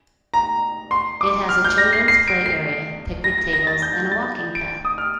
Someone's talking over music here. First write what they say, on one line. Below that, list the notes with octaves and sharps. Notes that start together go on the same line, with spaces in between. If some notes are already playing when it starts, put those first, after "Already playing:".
It has a Childrens Play Area, Picnic Tables, and a Walking Path.
A#5
C6
D6
F6
G6
A#6
C7
C7
D7
C7
A#6
A#6
A#6
A6
G6
A6
D7
D#6
F6